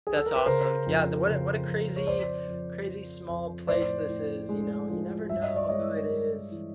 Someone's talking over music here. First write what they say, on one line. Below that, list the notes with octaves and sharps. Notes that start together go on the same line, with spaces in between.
That's awesome. Yeah, the what a what a crazy crazy small place this is, you know. You never know who it is.
G#4
A4
A#4
B4
C#3 A#4 C5
F2
C#3
F2
C#5
F2 C5 D5
F2
F3
F2
A2 C5 D5
A2
G#3
F3
G2 E5
D#5
D5
G#3 C#5 D#5
G#3
E3